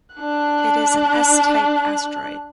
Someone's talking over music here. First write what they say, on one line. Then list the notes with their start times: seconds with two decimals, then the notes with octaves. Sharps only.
It is an S-type asteroid.
0.15 D4 F#6